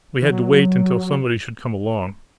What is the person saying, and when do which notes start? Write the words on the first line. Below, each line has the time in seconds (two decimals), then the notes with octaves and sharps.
We had to wait until somebody should come along.
0.22 E3
0.30 F#3